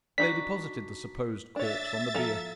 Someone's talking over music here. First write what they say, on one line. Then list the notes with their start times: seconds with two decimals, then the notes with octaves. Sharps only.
They deposited the supposed corpse on the bier.
0.18 D4 D#4 F#4 B6
1.56 D4 C#5 E5 A6
2.14 F3 A4 A#5